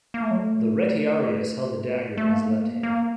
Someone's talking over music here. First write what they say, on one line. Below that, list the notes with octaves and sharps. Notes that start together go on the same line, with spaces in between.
The "retiarius" held the dagger in his left hand.
A#3
A3
F#3
A3
A3
A#3
A3
A#3
A#3